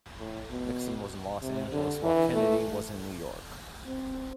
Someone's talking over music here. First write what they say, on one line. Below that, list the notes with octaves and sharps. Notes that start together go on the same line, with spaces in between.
Nixon was in Los Angeles while Kennedy was in New York.
A2
B2
C3
D3
E3
A3
C4